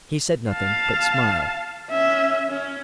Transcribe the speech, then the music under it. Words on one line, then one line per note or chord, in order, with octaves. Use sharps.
He said nothing, but smiled.
F5 A5
C#4 E5
C#4